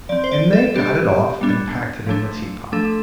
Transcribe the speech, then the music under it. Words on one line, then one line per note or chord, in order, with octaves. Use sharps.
And they got it off, and packed it in the teapot.
F3 C4 D5
C5
D5
A4
G3 B3 D4 G4
G3 B3 D4
F3 A3 D4
F3 A3 D4 A4